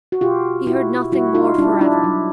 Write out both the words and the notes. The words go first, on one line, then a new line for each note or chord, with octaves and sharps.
He heard nothing more forever.
F#4
B2 F4 G4
B2 E4 F#4
G3 E4 F#4
D#4 F4
G3 D4 E4
D4 E4
F#3